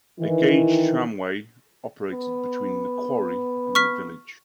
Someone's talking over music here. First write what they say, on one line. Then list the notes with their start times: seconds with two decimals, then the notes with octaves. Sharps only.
A gauge tramway operated between the quarry and the village.
0.19 D#3 E3
2.12 B3
3.75 C#6 F6 B6